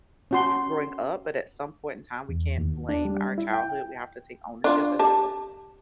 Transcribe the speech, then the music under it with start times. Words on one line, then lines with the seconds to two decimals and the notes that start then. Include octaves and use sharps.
growing up, but at some point in time, we can't blame our childhood. We have to take ownership as adults
0.31 C#4 F#4 C6
2.29 E2
2.58 D#2
2.89 D4
3.05 G3
3.38 E4
3.54 G5
4.64 D4 F4
4.99 G4 A5